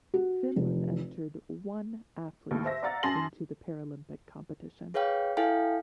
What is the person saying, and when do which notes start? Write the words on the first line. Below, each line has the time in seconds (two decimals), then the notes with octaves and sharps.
Finland entered one athletes into the Paralympic competition.
0.14 F#4
0.56 F1
2.51 D#2 A2
2.65 C5 E5 A#6
2.83 D5 F5 F#5 A#5 E6 A6
3.03 F#2 G#5 A5 C6 A#6 F#7
4.94 G#4 B4 C#5 F5 G5
5.37 E4 A4 F5 G5 G#5